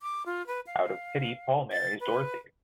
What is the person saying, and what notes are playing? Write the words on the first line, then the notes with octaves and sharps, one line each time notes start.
Out of pity, Paul marries Dorothy.
D6
F4
B4
F5
A6
B4